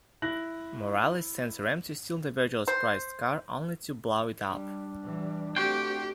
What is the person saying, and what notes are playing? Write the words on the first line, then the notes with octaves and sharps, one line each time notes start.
Morales sends Ram to steal the Virgillo's prized car, only to blow it up.
E4 F#6 A#6 F#7
C5
G3 D4
E3 G3
A3 C4 F#4 G4 C5 G5